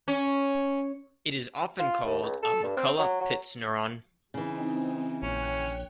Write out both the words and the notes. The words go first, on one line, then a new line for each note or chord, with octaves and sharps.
It is often called a McCulloch-Pitts neuron.
C#4
F4
D#2
C#2
A4
G2
C4
F#3
F#3
C#3 E3 C4 D#4
A#1 C#4 C#5 G5 F#6